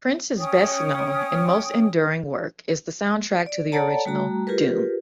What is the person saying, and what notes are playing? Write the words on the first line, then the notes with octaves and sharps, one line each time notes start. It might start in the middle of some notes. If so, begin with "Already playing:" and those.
Prince's best-known and most enduring work is the soundtrack to the original "Doom".
C#4 C#5 G5 D#6
D5
A4 C#5 D5 F#5 A5 A#5
G3 A3 F#4 A#5
F4 G4 G#4 A#4 B4